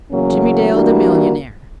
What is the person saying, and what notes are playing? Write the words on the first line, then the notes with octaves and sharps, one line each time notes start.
Jimmie Dale the millionaire!
E2 C#3 F#3 A#3 C#4
E3 G3 A#3 D4 F#4